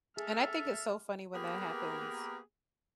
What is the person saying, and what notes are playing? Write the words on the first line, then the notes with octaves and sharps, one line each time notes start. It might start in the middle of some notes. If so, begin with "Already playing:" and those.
And I think it's so funny when that happens.
G#4 A4 E5 F6
A#3 B3 G4 G#4 A#4 B4